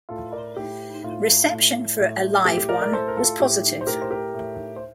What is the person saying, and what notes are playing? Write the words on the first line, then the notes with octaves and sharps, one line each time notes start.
Reception for "A Live One" was positive.
A2 F4 A4
A#4 D5
A2 G4
A2 F4
A2
A2
A2 G4
G4
A#4 D5
A#4 D5
A2 A4 C5
A#4
F4 A4
A2 G4
C5
A2 G4 A#4
C5
G4 A#4
A2
C5